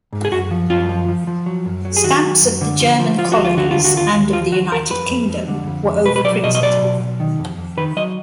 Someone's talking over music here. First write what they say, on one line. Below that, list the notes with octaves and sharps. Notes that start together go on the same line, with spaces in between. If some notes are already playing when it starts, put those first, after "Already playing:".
Stamps of the German colonies and of the United Kingdom were overprinted.
G#2
G#4
F#2 F#4
F3
F#2 F4
F3
F3
F3
F#3
F#2
F#3
G#4
D#3 F#4
F#3
F#2
D3
F3
F3
F3 F4
F#4
D2
F4
D3 F#4
F4
D#2
F#4
D#2 F4
D#2
F3 F4
D#2 F#4
D#2 A#4
F2 B4
F2
F2
D3
F2
F2
B1 B4
B4
F#3 D5
B2 D#5
D#5
F#3 D5
B2
B1
D#3
F2
F2
D#3 B4
F#3 D#5